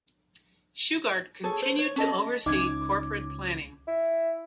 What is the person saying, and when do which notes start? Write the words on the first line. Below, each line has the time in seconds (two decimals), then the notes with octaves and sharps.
Shugart continued to oversee corporate planning.
1.43 G#4 A4 C#5
1.62 C5
1.79 C#5
1.96 C#4 A4 D#5
2.46 C#2 C#4 D#4 D6 G#6
3.88 E4